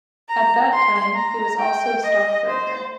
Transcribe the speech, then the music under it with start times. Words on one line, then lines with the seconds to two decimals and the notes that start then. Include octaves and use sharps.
At that time, he was also a stockbroker.
0.29 A#5
0.72 C6
1.15 A#5
1.59 G5
2.03 D#5
2.47 C5